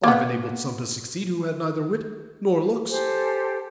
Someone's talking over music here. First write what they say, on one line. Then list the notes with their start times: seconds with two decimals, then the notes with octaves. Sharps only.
I've enabled some to succeed who had neither wit nor looks.
0.04 A#3 B3
2.89 G4 A4 C5 G#5